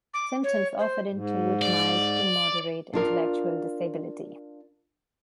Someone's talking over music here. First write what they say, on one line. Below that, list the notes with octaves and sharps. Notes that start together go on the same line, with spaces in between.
Symptoms often include mild to moderate intellectual disability.
D6
C#5
C5
G#2
D5
D4 F4 A#4